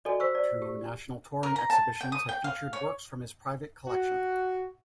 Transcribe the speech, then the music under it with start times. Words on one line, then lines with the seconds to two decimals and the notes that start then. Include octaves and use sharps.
Two national touring exhibitions have featured works from his private collection.
0.05 F#4 A4 D5 D#5 G#5
0.20 C5 C#6 E6 B6
0.35 D5
0.62 G4
1.43 A#4
1.56 A#5
1.70 A5
2.01 G5
2.12 D#6
2.29 G5
2.44 F5
2.73 C#5
3.87 F#4